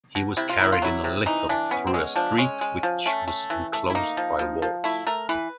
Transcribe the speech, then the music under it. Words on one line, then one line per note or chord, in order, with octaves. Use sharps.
He was carried in a litter through a street which was enclosed by walls.
B2
C3 E4
F4
F#3 E4
F4
F#3 E4
C3
E3 D#4
E3 D4
B3 C#4
C4
G#3 C#4
F3 D4
G#3 C#4
G#3
F3
A3 C#4
A3
E3
A3
E4
A#3 D#4
F3
F3
F3
A3 E4
A3 A#4
E3 B4